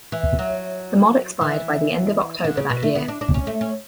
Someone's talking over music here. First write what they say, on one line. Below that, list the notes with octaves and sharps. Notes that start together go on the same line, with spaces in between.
The mod expired by the end of October that year.
E3
F#3
E3
D3
C#3
B2
A3
B3
D4
D4
C#4
A3
C#4